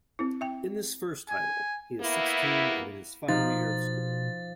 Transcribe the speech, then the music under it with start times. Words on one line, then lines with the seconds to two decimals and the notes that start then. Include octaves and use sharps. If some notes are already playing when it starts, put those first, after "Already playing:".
In this first title he is sixteen and in his final year of school.
0.19 C4 E4
0.41 E5 G5
1.29 G#5
2.01 A#3 B3 E4
3.29 B2 F3 D#4 A6